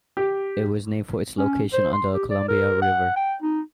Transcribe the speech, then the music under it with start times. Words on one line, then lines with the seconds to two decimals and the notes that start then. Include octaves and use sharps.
It was named for its location on the Columbia River.
0.17 G4
1.38 C#4
1.74 C5
1.93 C6
2.14 G4
2.31 D5
2.49 A#4
2.82 F#5
3.16 G5
3.42 D#4